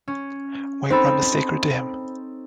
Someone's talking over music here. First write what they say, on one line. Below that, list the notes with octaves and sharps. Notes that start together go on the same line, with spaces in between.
White rum is sacred to him.
C#4
C4 D#4 A4 C5 B5